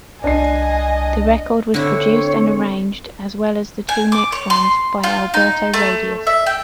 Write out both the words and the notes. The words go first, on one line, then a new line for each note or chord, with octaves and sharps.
The record was produced and arranged, as well as the two next ones, by Alberto Radius.
C2 D4 D#5 G#5 C7
D3 C4 E4 C#5
G#5
D6
C#5
C6
F4
D#4
A3
E5
G5